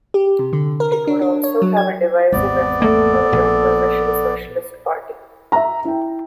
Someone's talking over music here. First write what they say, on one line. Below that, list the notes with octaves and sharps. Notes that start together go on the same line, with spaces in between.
It would also have a divisive effect on the opposition Socialist Party.
G4
C3
D3
A#4
A#4
D4
D4
C#5
F#3
G#6
G#1 E2 B3 D5
A3 A#3 A4
A#1 A#3
E5 A#5
E4 G5